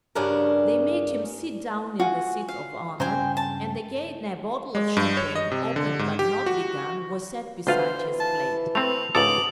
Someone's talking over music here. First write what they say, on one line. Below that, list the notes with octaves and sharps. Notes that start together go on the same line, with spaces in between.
They made him sit down in the seat of honour, and again a bottle of champagne, opened but not begun, was set beside his plate.
G2 C#3 C#4 D4 F#4 A#4
F4 F#4 F#5 G#5
F5
G2 C#3 C5 G5 G#5 A#5
A5
G#3
G2
C#5
D#5
C3
D3
G#2
G4
F#4
D2 B3 F4 C5 F5
E3
A5
A3 C4 B4 F7
C#2 G#2 B3 A4 D6 D#6 F#7